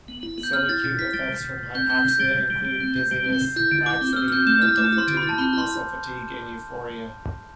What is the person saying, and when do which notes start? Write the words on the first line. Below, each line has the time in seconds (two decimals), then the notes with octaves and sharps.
Some acute effects from hypoxia include: dizziness, laxity, mental fatigue, muscle fatigue and euphoria.
0.08 B3
0.23 E4
0.38 B3
0.43 G6
0.53 B3 F6
0.69 E4 A6
0.84 B2 A6
0.99 E4 B6
1.13 G3 A6
1.29 C3
1.45 C3
1.59 C3
1.75 C4 G6
1.90 C4 G6
2.05 C3 G6
2.20 G3 A6
2.35 C3
2.50 G3
2.65 G3
2.81 C4
2.96 C3 G6
3.11 G3
3.26 C4
3.41 C3
3.56 E4 G6
3.72 D3
3.86 E4 D6
4.01 C4
4.13 F6
4.16 C4 E6
4.28 F6
4.32 C4 G6
4.47 A3 G6
4.62 E4 F6
4.77 A3 D6
4.93 E4
4.98 C6
5.08 D3
5.17 B5
5.23 E4
5.29 A5
5.38 C4 B5
5.53 E4 C6